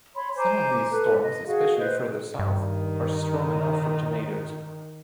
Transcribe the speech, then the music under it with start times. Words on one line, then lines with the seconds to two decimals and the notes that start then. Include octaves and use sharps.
Some of these storms, especially further south, are strong enough for tornadoes.
0.15 C#5 B5 C6
0.37 C5 G#5 A#5 D6
0.91 A4 B4
1.22 D#5
1.47 F#4 G#4 F5
1.77 B4 C5 D#5
2.39 G2 D#3